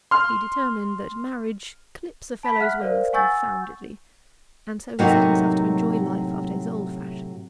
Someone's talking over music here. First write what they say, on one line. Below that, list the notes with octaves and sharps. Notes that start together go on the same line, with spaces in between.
He determined that marriage "clips a fellow's wings confoundedly," and so he set himself to enjoy life after his old fashion.
C6 F6
A5 B5 B6
E5 F#5 F6 F#6
A#4 C5 D5 F5
F#5 G#5 C#6 E6 G6 A6
A2 C3 F#3 A#3 D#4 F#4